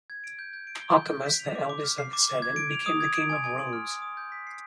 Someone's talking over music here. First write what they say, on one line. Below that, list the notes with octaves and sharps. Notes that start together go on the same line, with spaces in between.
Ochimus, the eldest of the seven, became the king of Rhodes.
G#6
D7
G6
G6
D7
G7
G6
G6
B6
F7
D6
D6
F6
C7
D6
D6
G#6
D7
F7
D#6
G#6
D7
G#5
G#5
C6
F6
D#6
D#6
G6
B6
C7